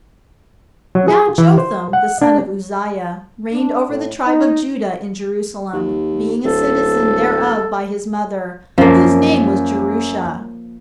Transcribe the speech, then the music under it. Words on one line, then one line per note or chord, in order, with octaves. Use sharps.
Now Jotham the son of Uzziah reigned over the tribe of Judah in Jerusalem, being a citizen thereof by his mother, whose name was Jerusha.
F#3
G#4
E3
C5
F#5
D4
D4
A2
D#4
D#2
D1 A4
F#2 F3 A#3